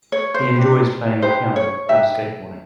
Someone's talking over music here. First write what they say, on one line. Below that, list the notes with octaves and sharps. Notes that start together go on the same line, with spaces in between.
He enjoys playing the piano and skate boarding.
C#5
C5
D4 G4 B4
D#4 G4 B4 C5
C#5
D#4 G4 B4 E5